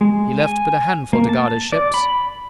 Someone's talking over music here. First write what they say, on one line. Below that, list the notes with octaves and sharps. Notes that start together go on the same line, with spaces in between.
He left but a handful to guard his ships.
G#3
G#5
A#3
A5
D5
B5